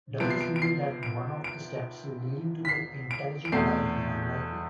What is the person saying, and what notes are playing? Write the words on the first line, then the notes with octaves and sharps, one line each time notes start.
Does this mean that one of the steps leading to intelligent life is unlikely?
C3 F3 B3 D7
C7
D7
D7
C7
D7
D7
B6
C7
D7
D7
E2 B2 A3 C4 C7